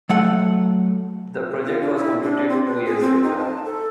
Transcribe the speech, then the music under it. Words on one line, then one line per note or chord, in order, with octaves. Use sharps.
The project was completed two years later.
F#3 A3 F#5
F4
D4
E4
D4
C4
B4
G#4
C4
D#4
A5
A4